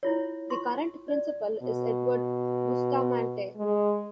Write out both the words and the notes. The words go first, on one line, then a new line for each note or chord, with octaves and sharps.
The current principal is Edward Bustamante.
E4 F4 C#5
F4 C6 C#6
D5
B2
G#3